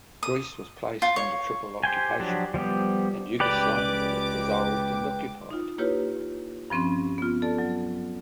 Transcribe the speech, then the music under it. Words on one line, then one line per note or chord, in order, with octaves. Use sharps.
Greece was placed under triple occupation, and Yugoslavia was dissolved and occupied.
D#6
F4
C#5
G4 C5 G5 G#5
F3 F#3 D4 G4
F3 G3 B3 G4
C#2 G4 B4 D5 D6
D#4 F4
A#3 E4 F4 G4 B4 C#5
G2 F3 C4 C#4 C6
B3 F4
A4 D5 A5
F#3